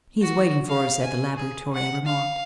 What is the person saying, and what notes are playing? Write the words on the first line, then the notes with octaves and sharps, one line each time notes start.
"He's waiting for us at the laboratory," I remarked.
F#4
F5
G#5
G#4
F#5
F5